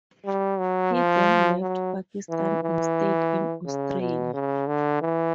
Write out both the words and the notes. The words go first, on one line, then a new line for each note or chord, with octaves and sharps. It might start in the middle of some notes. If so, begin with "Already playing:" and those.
He then left Pakistan and stayed in Australia.
G3
F#3
F3
F#3
E3
E3
C#3
B2
C#3
D3
E3